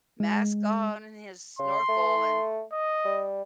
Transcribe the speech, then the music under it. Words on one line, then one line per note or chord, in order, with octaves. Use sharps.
mask on and his snorkel and
G#3
C#3 C6
A3
D#5
G3